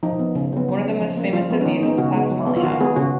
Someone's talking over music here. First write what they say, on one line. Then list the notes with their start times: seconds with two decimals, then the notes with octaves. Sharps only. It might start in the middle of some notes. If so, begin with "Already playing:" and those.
One of the most famous of these was Clap's molly house.
0.03 F3 D#4
0.19 B3
0.35 C#3
0.52 F#3 B3
0.68 F#3
0.85 C#4
1.00 F3
1.17 A#3 C#4
1.33 F3 F4
1.50 G#3 B3
1.61 C#4
1.65 D#3 D#4
1.82 G#3 B3 D#4
1.98 C#3 F#4
2.15 G#3 B3
2.31 F#3
2.47 B3
2.56 F4
2.63 D#3 F#4
2.81 G#3 B3 G#4
2.96 C#3 F#4